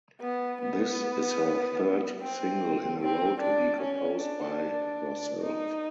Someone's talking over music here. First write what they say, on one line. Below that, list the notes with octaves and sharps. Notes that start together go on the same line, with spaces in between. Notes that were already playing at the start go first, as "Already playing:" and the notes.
This is her third single in a row to be composed by herself.
B3
B3
C4
C4
D4
C#4
D4
D#4